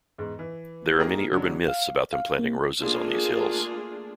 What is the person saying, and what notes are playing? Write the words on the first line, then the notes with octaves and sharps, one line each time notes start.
There are many urban myths about them planting roses on these hills.
E2 G#2
E3
A#3 D#4 G4 G#4 A#4
C#3 F#3 G#3 D4
F5
F5
A#3
A3 A#3 D4 F4 G#4